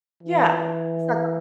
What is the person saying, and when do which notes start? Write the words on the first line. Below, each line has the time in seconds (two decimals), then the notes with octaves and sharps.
Yeah, it's the government,
0.23 E3